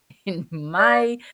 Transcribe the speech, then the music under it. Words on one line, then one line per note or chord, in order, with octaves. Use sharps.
in my
D5